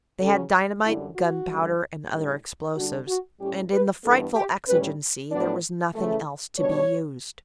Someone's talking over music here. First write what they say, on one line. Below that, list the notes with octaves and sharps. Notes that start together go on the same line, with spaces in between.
They had dynamite, gunpowder and other explosives, and in the frightful exigency there was nothing else to be used.
C#3 F#3 C#4 A4
F#2 D3 G3 E4
F#4
F#2 D3 G3
A2 G3 D4
D3 G3 D4 F#4
F#4
A2 G3 C#4 G4
B4
G2 E3 B3 A4
G4
A2 G3 C#4 B4
A2 F#3 B3 D4 D5
C#3 E3 A3
B2 G3 D4 C#5